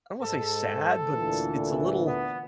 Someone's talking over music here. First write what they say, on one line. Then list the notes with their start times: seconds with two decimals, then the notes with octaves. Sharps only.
don't wanna say sad, but s it's a little
0.22 G#2 A4
1.11 D2 A#2 E3
2.06 B3